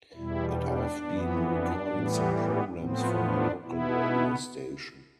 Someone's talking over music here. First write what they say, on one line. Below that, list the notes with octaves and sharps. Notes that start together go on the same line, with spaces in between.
And I have been recording some programmes for my local radio station.
E2 B2 G3 E4
D4
F2 E3 B3
D4
A2 E3 G3 B3
B3
A2 F3 B3 C4
D4
B2 B3 E4